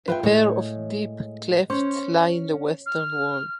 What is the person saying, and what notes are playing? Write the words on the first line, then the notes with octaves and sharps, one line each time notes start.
A pair of deep clefts lie in the western wall.
F4 B4 E5 G5
A2 G#3 C#5
C#4 C5 C#5
F6